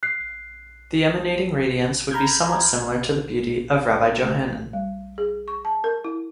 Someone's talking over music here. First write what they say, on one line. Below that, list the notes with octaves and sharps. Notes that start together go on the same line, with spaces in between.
The emanating radiance would be somewhat similar to the beauty of Rabbi Johanan.
F#6 C7
A#5 B5 F6 G6 G#6
A3
G3
G#4
C#6
A5
A#4
E4